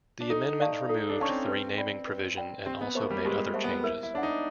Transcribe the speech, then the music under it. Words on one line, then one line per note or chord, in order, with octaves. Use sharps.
The amendment removed the renaming provision and also made other changes.
D4
D#4 A4
D5 F5 A5 C#6
D#4 A4
D4
C#4 D5 F5 A5 C#6
C4
B4
D5 G5 B5
B4
D5 G5 B5
C4 G4
B3
A#3 C5 E5 A5 C#6
G3
G#3 G4
C5 E5 A5 C#6
B3
E4 A#4
E4
D4 C#5 F#5
D#4